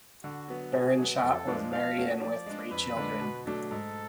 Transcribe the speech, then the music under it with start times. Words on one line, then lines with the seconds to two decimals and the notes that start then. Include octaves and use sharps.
Berenschot was married and with three children.
0.23 D3 F#4
0.48 F#3 B3
0.73 B2 G#4
0.98 F#3 B3
1.23 F2 A4
1.47 F3 G#3 D4 F4
1.72 F3 F5
1.98 A3 C#4 F#4
2.22 F3 D5
2.46 G#3 D4
2.72 F2 B4
2.97 D3 G#3 D4
3.21 B2
3.46 F#3 A3 D4
3.71 G#2 A4